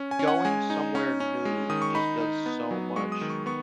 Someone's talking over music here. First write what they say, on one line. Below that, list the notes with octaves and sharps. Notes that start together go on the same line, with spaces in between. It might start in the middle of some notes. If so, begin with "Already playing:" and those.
going somewhere new just does so much
Already playing: C#4
G#5
C#4
F#5
G#3 G#5
D#4
C#4
C#4
G#3
D#3 D#6
C#6
D#4 B5
D#4
B3
F#3
G#3 C#6
D#6
D#3
C#6
B3 C#6